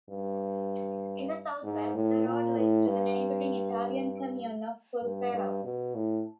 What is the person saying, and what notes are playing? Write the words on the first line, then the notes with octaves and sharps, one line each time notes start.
In the southwest, the road leads to the neighbouring Italian "comune" of Pulfero.
G2
G#2
A2
A#2
A2
G2
G2
G2
B2
A2